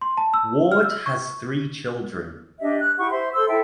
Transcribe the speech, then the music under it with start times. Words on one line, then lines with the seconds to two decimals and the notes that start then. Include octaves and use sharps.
Ward has three children.
0.01 C6
0.17 A5
0.34 E6
0.72 F6
0.84 E6
1.06 C#6
2.61 D4 G4 D#5 E5
2.79 F#6
2.98 E4 G4 F#5 C#6
3.10 C5 E5 C6
3.34 A4 C5 C6 E6
3.49 E4 A4 E5 G5